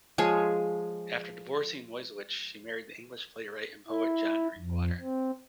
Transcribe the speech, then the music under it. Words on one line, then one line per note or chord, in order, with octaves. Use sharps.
After divorcing Moiseiwitsch, she married the English playwright and poet John Drinkwater.
F3 G#3 G#4 C#5
E4
F2
C4